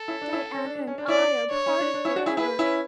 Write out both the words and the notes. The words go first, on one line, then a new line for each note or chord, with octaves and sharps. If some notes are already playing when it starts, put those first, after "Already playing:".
Diana and I are parted forever.
Already playing: A4
C#4 E4
D4
C#4 E4
C#4
D4
D4
C#4
D4
C#4 E4 D5
D4 C#5
C#4
D4
D4
C#4 E4
D4 F#4
E4 G#4
E4 G#4 B4
C#4 E4